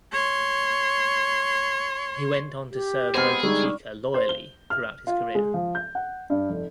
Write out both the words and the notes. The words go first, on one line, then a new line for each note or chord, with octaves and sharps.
He went on to serve Motochika loyally throughout his career.
C#5 C6
G4
G#3 B3 C4 G#4 C5 F6
D3 G3 G#3 D#4 C#6
C5
G7
F6
F4
G#3
F3
G6
F#5
G2
F1